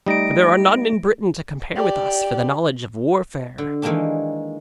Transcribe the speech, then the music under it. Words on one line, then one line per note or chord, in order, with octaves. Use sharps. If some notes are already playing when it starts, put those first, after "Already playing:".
For there are none in Britain to compare with us for the knowledge of warfare.'
G3 A3 D#4 A#6 D7
G4 D5
D3
D#3 E3 G#3 A#3 D4 G4